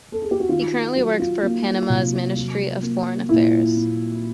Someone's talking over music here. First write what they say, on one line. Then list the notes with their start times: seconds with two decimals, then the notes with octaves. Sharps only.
He currently works for Panama's Ministry of Foreign Affairs.
0.12 A4
0.22 G#4
0.31 G4
0.40 F#4
0.49 D#3 F4
0.96 F#3 F#4
1.19 F4
1.43 A#3
1.90 C3
2.36 F#3
2.82 A#3
3.29 A#2 E4
3.76 A#2